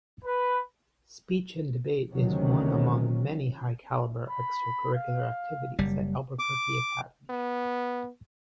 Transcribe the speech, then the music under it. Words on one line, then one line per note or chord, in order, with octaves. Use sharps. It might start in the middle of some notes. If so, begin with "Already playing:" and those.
Speech and Debate is one among many high caliber extracurricular activities at Albuquerque Academy.
B4
D2 C3 D#3 F#3 C#4
B5
F5
F#1 G3
D6
B3